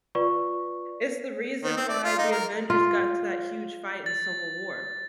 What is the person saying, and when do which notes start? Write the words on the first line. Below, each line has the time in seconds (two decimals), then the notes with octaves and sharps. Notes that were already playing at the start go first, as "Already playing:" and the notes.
it's the reason why the Avengers got into that huge fight in Civil War
0.15 F4 B4 D5 C#6
1.64 D#3
1.77 C4
1.89 D5
2.04 F4
2.18 D#4
2.32 A#4
2.70 F4
4.06 A6